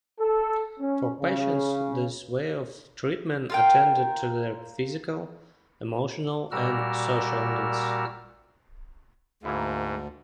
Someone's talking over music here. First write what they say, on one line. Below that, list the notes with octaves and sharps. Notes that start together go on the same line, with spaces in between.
For patients, this way of treatment attended to their physical, emotional, and social needs.
A4
C#4
C#3
F4 A#4 G5
A#2 G3 F#4 A#4 E6 F6
D2 G#2 A#3 E4 F4